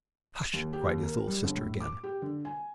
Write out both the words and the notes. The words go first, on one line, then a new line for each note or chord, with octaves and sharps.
"Hush!" cried his little sister again.
D#2
G4
D#2
A#4
G3
G1
A2
D6
G4
D3
G#5